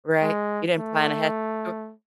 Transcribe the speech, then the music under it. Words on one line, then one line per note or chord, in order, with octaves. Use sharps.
Right, you didn't plan ahead? You
G#3
A3